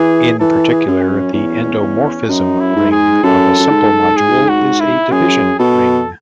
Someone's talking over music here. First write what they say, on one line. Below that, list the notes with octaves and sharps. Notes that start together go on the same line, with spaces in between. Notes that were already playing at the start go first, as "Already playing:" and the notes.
In particular, the endomorphism ring of a simple module is a division ring.
Already playing: E3 G#4
E3 A4
G#4
F#2
C#4
E2 C#4
E2
F#2 D#4
E4
G#2
G#4
F#2 A4
F#2
G#2
G#4
F#4
E4
F#2 G#4
B2 A4